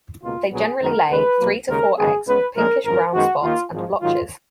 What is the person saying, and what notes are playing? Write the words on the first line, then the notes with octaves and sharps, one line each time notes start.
They generally lay three to four eggs with pinkish brown spots and blotches.
C#2 B2 A#3 F4
A#1 A#2 F#3 B3 G#4
F#2 D#3 G#3 B3 A#4
D#2 C#3 G#3 B4
B1 B2 F#3 A#3
D#2 C#3 G#3 A#4
G#1 F#2 D#3 G#3 B3 G#4
C#2 C#3 G#3 B3 B4
A#1 A#2 F3 G#3 A#4
G#1 F#2 F3 A#4
F#2 D#3 G#3 B3 F#4
D#2 D#3 A#3 F4
G#1 G#2 F3
G#2 D#3 F#3 F4